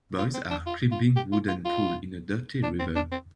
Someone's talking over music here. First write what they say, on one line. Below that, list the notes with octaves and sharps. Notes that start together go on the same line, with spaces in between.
Boys are climbing wooden poles in a dirty river.
F4
C4
D4
F4
F4
G4
F4
F4
F4
D4
C4
D4
C4